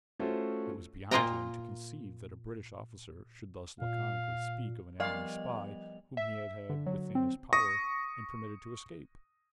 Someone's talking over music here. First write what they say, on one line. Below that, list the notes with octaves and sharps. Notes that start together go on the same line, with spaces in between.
It was beyond him to conceive that a British officer should thus laconically speak of an enemy spy whom he had had within his power and permitted to escape.
A3 C#4 F4 F#4 A4 C5
A#2 A#3 F4 D#5 G5 A#5
A#2 F5
F3 G3 B3 D5 D#5 F5 F7
E5
D3
F#3
C4
C#6 D#6 A#6